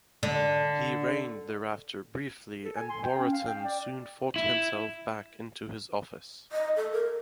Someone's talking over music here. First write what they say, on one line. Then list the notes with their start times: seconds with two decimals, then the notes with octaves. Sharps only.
He reigned thereafter briefly and Waratton soon fought himself back into his office.
0.23 D3
2.64 A4
2.76 G#5
2.89 C6
3.03 G5
3.18 C#4
3.32 F5
3.46 G5
3.64 D5
4.36 E4
6.52 D#5
6.76 A4
6.92 A#4